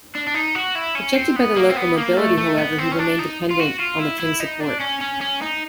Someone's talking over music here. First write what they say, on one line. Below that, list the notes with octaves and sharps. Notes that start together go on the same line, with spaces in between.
Rejected by the local nobility, however, he remained dependent on the king's support.
D4
D4
D#4
F#4
E4
C#4
C4
B3
A#3
C4
B3
A#3
A3
A3
B3
C4
C#4
D4
D#4
F4
F#4
F4
E4
E4
D#4
D4
C#4
C#4
C#4
D#4